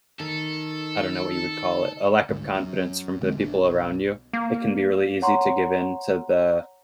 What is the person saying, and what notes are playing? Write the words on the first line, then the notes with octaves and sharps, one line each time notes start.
I don't know what you would call it. A lack of confidence from the people around you. It can be really easy to give in to the
D#3 A4
G1 D2 G#2
F#2
E1 D3 G#3 C4
A#1 D4
B1
A#3
C#5 F#5 A#5 C6 C#6